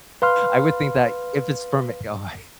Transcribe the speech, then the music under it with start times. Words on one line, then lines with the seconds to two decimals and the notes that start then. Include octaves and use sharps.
I would think that if it's from a guy
0.22 B4 F5 C6 F6